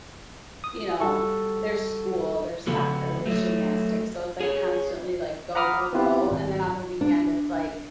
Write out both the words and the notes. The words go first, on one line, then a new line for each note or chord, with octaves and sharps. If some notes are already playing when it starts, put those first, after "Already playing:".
you know, there's school, there's soccer, there's gymnastics, so, it's, like, constantly, like, "Go, go, go," and then on the weekend, it's, like,
D#6
G3 F#4 A4 C#6
C#3 F3 B3 F#4 A4
F#3 A3
G#4 C#5
F#5 A#5 B5 D6 D#6 F6
B3 C4 E4 F4 G4 B4
G#1
D4